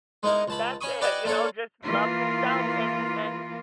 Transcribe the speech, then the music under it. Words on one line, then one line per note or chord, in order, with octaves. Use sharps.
that's it, you know, just love yourself and and
G#3 B3 D#4 E4 A#4
C#2 A5 B5
C#4 G#5 B5 C#6 D#6
G4 B4 D5 D#5 F#5 G#5
A#3 D4 F4 A4 C#5
E3 A#3 F4